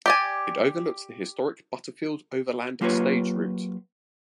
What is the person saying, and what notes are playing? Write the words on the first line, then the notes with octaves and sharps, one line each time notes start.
It overlooks the historic Butterfield Overland Stage route.
G4 D5 G#5
F#3 A#3 F4 G4 B4 C#5